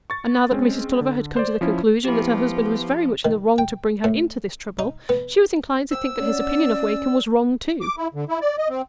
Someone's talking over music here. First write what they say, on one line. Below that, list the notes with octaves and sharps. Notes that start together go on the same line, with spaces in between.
And now that Mrs. Tulliver had come to the conclusion that her husband was very much in the wrong to bring her into this trouble, she was inclined to think that his opinion of Wakem was wrong too.
C#6 A6
G#3 C4 C#4
D3
C5 D5
F3 C#4 E4
F3 B3 E4 G4
D#3
G5
A2
D#4
B3
C5 G5 E6
B3 C#4 C#5 D5
D6
E4
D3
E4
D5
D#5
C4